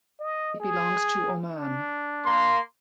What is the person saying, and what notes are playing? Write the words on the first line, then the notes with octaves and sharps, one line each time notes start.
It belongs to Oman.
D#5
G#4
D4
A#3 C6